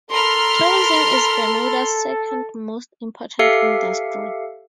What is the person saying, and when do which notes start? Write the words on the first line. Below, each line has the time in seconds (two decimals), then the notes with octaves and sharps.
Tourism is Bermuda's second most important industry.
0.11 A4 A#4 B5 C6 F6
3.39 G4 A4 E5 F5 C7 C#7